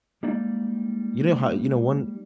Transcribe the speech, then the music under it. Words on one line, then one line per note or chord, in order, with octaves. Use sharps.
you know how you know, one
G3 G#3 A#3 D#4 D5